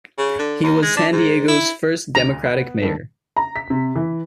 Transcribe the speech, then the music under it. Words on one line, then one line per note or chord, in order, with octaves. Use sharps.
He was San Diego's first Democratic mayor.
C#3
D3
D#2
G#3
D4
G#2
E4
D2 A#5
B3
G2 D#3 A3
A#5
B6
C3
E3